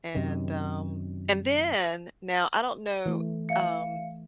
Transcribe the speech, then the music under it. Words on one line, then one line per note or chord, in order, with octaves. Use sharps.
and, um and then now I don't know, um,
F#2 C3 D#3
E3 A3
E5 F5 C#7